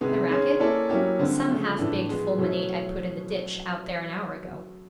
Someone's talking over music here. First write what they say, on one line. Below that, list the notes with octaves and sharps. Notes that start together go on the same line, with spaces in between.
'The racket? Some half-baked fulminate I put in the ditch out there an hour ago.'
C3 D#3 G#3 B3
D#3 G#3 C#4
A#3 C#4 E4 A4 D5
F#3 A#3 C#4 E4 G4
D3 G3 C4 F4
C#3 F3 A3
A2 E3 A3 D4
F3 G#3 B3
B2 F#3 A3 C#4 E4